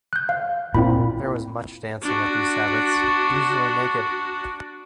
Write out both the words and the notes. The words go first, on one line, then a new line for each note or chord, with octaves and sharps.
There was much dancing at these sabbaths, usually naked.
F#6 G6
F5
A#2 C4 E4 B5
D4 F#4